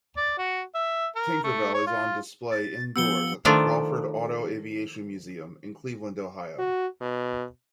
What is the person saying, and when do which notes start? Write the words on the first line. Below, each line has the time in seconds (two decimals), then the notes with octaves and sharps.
"Tinkerbelle" is on display indoors at the Crawford Auto-Aviation Museum in Cleveland, Ohio.
0.17 D5
0.38 F#4
0.75 E5
1.15 A#4
1.44 A3
1.74 C#5
1.87 F4
2.51 A6
2.96 F3 B3 G4 E6 C#7 G7
3.45 D#3 F3 A3 D4 F4
6.58 F#4
7.01 B2